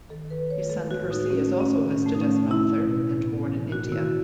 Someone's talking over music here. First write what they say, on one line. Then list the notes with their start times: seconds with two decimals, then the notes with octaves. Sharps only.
His son Percy is also listed as an author and born in India.
0.09 D#3 A4
0.25 D#3
0.30 B4
0.41 D#3
0.50 C#5
0.55 A3
0.70 G#3 A4
0.86 B3
0.91 F#4
1.01 A2
1.11 D#4
1.16 G#3
1.30 A3 C#4
1.46 A3
1.60 A3 C#4
1.76 D#3
1.91 A2 C#4
2.06 A3
2.15 D#4
2.21 A2 C#4
2.37 A3
2.51 A3 E4
2.66 A3
2.82 B2
2.97 B2
3.12 A2
3.27 B3
3.42 E3
3.57 A2
3.72 A3 F#4
3.87 D#3 E4
4.02 D#3